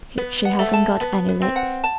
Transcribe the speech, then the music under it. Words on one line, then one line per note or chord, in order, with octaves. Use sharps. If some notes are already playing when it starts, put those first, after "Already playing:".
She hasn't got any legs.
B3 B4
F#5
A3
A5
B3 B4
B4
C4
F#5
A5